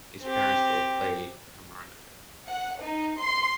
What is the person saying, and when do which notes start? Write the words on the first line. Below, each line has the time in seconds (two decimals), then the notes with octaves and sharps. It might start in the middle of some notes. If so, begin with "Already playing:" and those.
His parents both played the harmonica.
0.23 C4 G4
2.48 F#5
2.80 D#4
3.20 C6